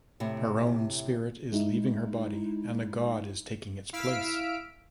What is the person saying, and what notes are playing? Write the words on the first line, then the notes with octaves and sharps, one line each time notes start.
Her own spirit is leaving her body and a god is taking its place.
A2 C3
G#3 D#4 E4
E4 F5 E6 F6 B6 D7